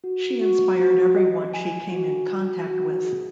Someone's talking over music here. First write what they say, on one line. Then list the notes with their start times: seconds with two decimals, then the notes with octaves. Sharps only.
She inspired everyone she came in contact with.
0.04 F#4
0.41 F#4
0.79 F#4
1.16 D#5
1.54 G#5
1.92 F#4
2.30 F#4
2.67 F#4
3.05 G#4